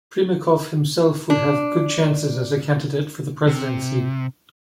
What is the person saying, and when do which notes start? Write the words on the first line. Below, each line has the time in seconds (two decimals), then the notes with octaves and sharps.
Primakov himself would have had good chances as a candidate for the presidency.
1.30 D4
3.47 C3